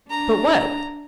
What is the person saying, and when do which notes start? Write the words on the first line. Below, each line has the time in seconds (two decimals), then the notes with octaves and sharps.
"But what?"
0.10 D4 A#5